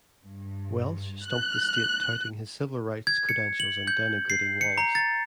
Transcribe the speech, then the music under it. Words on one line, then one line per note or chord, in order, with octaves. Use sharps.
Welsh stumped the state touting his civil rights credentials and denigrating Wallace.
G2
F#6
G#6
C#7
F#7
G6
C7
C#7
A#5
A6